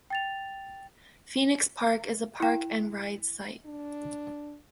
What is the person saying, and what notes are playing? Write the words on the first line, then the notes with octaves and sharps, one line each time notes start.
Phoenix Park is a Park and Ride site.
G5 A6 F7
E4 G5
D4